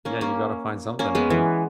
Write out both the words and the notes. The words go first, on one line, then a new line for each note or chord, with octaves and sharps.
Yeah, you gotta find something to do.
A#3 C#4
A#3 C#4
A#3 C#4
G#3 B3
E3